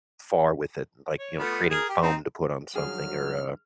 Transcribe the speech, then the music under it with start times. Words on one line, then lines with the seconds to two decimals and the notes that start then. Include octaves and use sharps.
far with it, like, you know, creating foam to put on something, or, uh
1.19 C#5
1.39 A3 B3 F4
1.70 G#4 A#4
1.89 G4
2.02 C4 D#4
2.76 G2 D#3 F3 F#3 G#4 F6